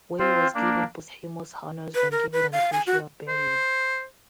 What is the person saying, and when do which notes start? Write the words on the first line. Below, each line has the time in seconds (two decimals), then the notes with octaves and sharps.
Wei was given posthumous honors and given an official burial.
0.19 C4 F4 C5
0.54 A#3 D4
1.95 B4
2.12 A#4
2.33 B4
2.52 F5
2.73 G#5
2.87 F#4
3.28 C5